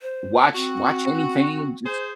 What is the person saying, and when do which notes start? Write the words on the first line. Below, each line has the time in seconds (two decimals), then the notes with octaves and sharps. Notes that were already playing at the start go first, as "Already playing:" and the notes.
watch watch anything, just
0.02 C5
0.55 C4 F#4
1.86 G#4 C5